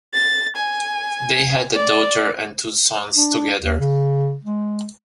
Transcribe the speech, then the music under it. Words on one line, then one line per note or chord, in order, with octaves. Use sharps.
They had a daughter and two sons together.
A6
G#5
D5
D4
D#2
C#3
G#3